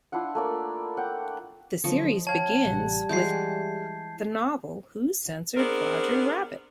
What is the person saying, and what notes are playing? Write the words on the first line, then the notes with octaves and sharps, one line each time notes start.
The series begins with the novel Who Censored Roger Rabbit?
D4 E4 F4 F#5
A3 A#3 D5
F#5 G5
D3 F3 F#3 D#5 C#6
C#5 F5 G5 A5 G#6
A1 C3 G3 F#5
E3 G#3 F#4 G#4 G6 C7
B3 C4 D4 G#4 A#4